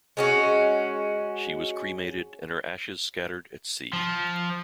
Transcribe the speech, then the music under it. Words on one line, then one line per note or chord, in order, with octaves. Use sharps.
She was cremated and her ashes scattered at sea.
G#3 C#4 F#4
F3